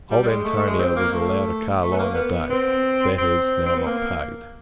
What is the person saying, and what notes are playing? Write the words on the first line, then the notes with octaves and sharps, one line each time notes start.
Old Antonio was allowed a carline a day; that is, now, not paid.
G3
G3
G#3
A3
A3
G#3
C4
A#3
A3
A3
B3
A#3
B3
C4
C4
C4
B3
A#3